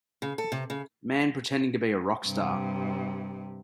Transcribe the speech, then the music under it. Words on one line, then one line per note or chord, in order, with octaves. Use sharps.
Man pretending to be a rock star.
C#3
A4
C3
C#3
G2 C3